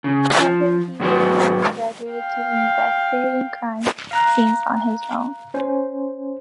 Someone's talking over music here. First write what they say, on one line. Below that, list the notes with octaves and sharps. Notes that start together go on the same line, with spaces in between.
However, he later graduated to investigating crime scenes on his own.
C#3
F3
G#2 B2 F#3 F#4 B4 C5
F5 G5
F5 A#5 F#6
C#4 C5